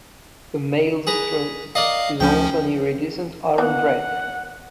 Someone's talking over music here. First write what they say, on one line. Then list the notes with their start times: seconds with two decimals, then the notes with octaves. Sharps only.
The male's throat is also an iridescent orange-red.
1.07 G#4 B4 A#5
1.75 A#4 D5 D#5 F5
2.20 D2 F3 C#4 G5
3.58 E3 A#3 B3 F#5